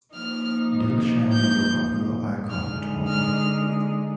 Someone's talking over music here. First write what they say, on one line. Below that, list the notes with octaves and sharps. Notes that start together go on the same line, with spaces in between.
Dilshan is a popular icon at home.
F3 A#3 D#4 F6
G6
D3 G#3 D#4 F6
F6